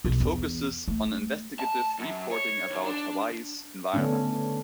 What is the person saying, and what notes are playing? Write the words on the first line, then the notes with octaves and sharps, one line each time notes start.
It focuses on investigative reporting about Hawaii's environment.
B1
E2
A3
A5
F#2
C#5
D#2
D4
D3 A3 B3 C#4 D4